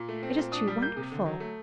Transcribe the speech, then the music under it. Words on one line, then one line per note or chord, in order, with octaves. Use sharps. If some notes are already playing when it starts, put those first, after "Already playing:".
It is too wonderful.
Already playing: A#2
A3
C4
A#2
D4 D#6
G3
A#3 G6
C3
D3
F#3
A3